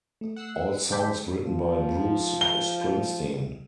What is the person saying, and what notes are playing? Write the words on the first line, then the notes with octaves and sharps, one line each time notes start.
All songs written by Bruce Springsteen.
A3
F#5 E6 C7
D3 D4 C5 G5 G6 B6
F3
G7